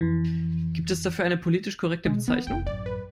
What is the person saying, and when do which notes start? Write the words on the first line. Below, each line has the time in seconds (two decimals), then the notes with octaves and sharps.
Gibt es dafür eine politisch korrekte Bezeichnung?
0.01 F2 E3
2.05 B2 G#3
2.28 D#3 E3 B3
2.47 F1 E2 G5
2.67 A1 F#2 D5
2.86 B4